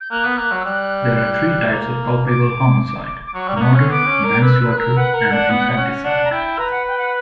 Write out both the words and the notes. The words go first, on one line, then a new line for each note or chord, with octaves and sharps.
There are three types of culpable homicide: murder, manslaughter and infanticide.
G6
A#3 F#6
B3
A#3
F#3
E6
G3 F#6
A#3
D6
D6
F#3 C#6
G3
A#3
B3
C#4
B3 D6
C#4
A#4
B4 E6
B4
F#6
A#4 E6
B4 F#5
A#4
D4
B3
C#4
D4 F#5
A#5
E4 G5
B4 A#5
F#5
G5
F#5